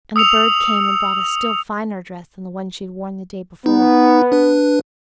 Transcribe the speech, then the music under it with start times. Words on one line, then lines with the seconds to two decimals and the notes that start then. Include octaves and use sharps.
And the bird came and brought a still finer dress than the one she had worn the day before.
0.16 D#6 E6 C#7 F7
3.66 B3 D#4
4.32 D4 B4